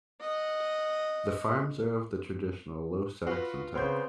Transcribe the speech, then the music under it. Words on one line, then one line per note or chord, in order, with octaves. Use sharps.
The farms are of the traditional Low Saxon type.
D#5 F#5
F4 F#4 B4
C#3 B3 C4 C#5 C6 G6